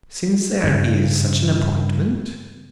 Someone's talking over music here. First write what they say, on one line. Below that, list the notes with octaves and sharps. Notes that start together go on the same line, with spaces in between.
"Since there is such an appointment."
G2 C#3